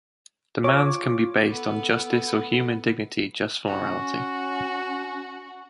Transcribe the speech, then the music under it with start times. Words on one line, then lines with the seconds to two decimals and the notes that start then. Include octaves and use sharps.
Demands can be based on justice or human dignity just for morality.
0.64 F4 C#5 D6
1.50 B3 A4
3.67 C#4 F#4